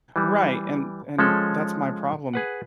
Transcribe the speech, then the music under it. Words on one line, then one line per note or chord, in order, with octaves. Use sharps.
Right, and and that's my problem.
E3 G3
F3 G#3 C#4 A4
G#4 B4 F#5